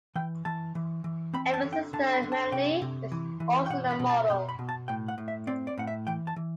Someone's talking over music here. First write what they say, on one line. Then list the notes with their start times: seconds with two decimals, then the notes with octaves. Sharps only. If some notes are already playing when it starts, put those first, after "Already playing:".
Emme's sister Melanie is also a model.
0.15 E3 G5
0.45 E3 A5
0.75 E3
1.04 E3
1.34 C4 B5
1.54 A5
1.63 D3
1.73 G5
1.93 D3 A5
2.13 B5
2.23 D3
2.32 A5
2.52 C3 G5
2.82 C3
3.12 E3
3.40 E3
3.66 G5
3.70 B2 F#5
3.91 B5
3.99 B2
4.09 A5
4.30 B2 G5
4.49 B5
4.59 B2
4.69 A5
4.88 A2 G5
5.08 F#5
5.18 A2
5.28 E5
5.47 C4 D5
5.67 D5
5.78 A2 F#5
5.87 E5
6.07 E3 G5
6.27 A5
6.36 E3